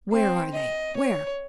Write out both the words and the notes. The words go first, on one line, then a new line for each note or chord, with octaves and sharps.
Where are they? Where?
C4
D#5
C#5